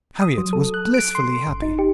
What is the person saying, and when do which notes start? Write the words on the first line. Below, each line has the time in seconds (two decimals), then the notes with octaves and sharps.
Harriet was blissfully happy.
0.22 D#6
0.38 F#3
0.53 A4
0.74 F#6
0.94 D7
1.15 C6
1.47 G1
1.62 D#4
1.79 G4